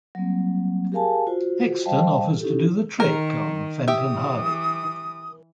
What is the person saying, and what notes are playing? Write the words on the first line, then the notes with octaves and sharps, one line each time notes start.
Hexton offers to do the trick on Fenton Hardy.
F#3 G3 A#3 C4
G4 G#4 A#4 F5 G#5 A5
F4 F#4 C5
G3 C5 D#5 F5 G5 A5
C#4 D#4 E4 G4 A4
D#3 A#4
E3 G4 E5 D#6